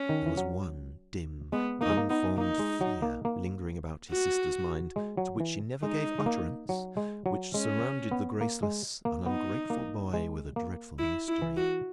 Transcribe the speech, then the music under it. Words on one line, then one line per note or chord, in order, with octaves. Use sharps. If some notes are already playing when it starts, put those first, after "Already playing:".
There was one dim unformed fear lingering about his sister’s mind, to which she never gave utterance, which surrounded the graceless and ungrateful boy with a dreadful mystery.
Already playing: C#4
D#3
E3
F#3
G#3 B3
A#3 D#4
G#3
A#3
B3 D#4
A#3 D#4
G#3
F#3
A#3
A#3
F#4
G#3
F#3
E3
G#3 D#4
G#3
A#3
F#3
G#3
F#3
G#3 C#4
B3
A#3
G#3
A#3
B3 D#4
A#3
G#3
A#3
E4
E4
E3
F#4